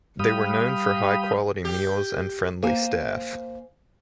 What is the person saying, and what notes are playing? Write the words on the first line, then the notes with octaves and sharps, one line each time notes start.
They were known for high quality meals and friendly staff.
G3 F5 G5 B5 D#6
G4
A#3 C5 G#5